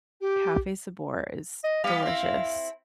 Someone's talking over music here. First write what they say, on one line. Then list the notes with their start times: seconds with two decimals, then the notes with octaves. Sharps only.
Cafe Sabor is delicious.
0.20 G4
1.64 D#5
1.84 G3 B3 G4 F5
2.02 C4 E4